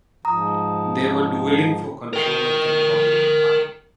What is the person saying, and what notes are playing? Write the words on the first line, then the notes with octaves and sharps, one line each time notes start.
They were dueling for control of the Republican Party.
G#2 F3 A#5 D#6
A#4 G5